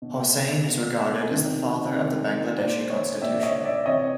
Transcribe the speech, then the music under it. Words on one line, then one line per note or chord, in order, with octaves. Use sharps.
Hossain is regarded as the father of the Bangladeshi constitution.
B2
B2
C3 D#3
C3 D#3
A#2 C5 D5
C#5 D#5
A#2 D5 E5
C#5 D#5
D5 E5
C3 E3 C#5 D#5